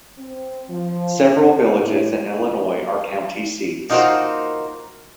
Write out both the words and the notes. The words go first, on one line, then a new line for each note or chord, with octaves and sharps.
Several villages in Illinois are county seats.
C4
F3
C#4
A2
A#3 D#4 F4 F#4 A#4 C5